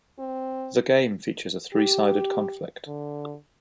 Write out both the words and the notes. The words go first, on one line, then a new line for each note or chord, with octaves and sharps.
The game features a three-sided conflict.
C4
G4
D3